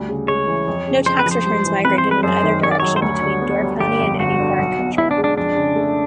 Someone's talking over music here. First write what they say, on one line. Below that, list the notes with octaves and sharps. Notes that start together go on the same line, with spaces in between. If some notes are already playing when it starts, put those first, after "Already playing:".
No tax returns migrated in either direction between Door County and any foreign country.
Already playing: D2 G3
C#3
G#3 C#5
E3
F2
C#3
F2 C5
B4
F3
C5
G2
E3
C4 B4
C5
G#3
B4
F#2 C5
D#3
F#2 C#5
D5
F#3 C#5
C5
D2 C#5
D3
B3
G3
G1 G4
F2
G1 F#4
D3
B1
B2
B3 E4
D4
G#3
D4
F2 D4
C#3
A3